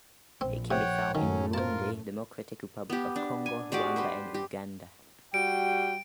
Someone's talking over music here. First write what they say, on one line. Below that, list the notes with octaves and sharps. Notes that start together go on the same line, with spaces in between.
It can be found in Burundi, Democratic Republic of Congo, Ruanda and Uganda.
A#1 C4
C3 C#5 F#5 G5
F#2 A2 D#3 F#3 A3 C#4
F4 A#4 C5 A5
B3 G4
D4
G#5
G#3 F#4 G4 D5
G4 B4 C5
G4
G3 F#4 G5 D7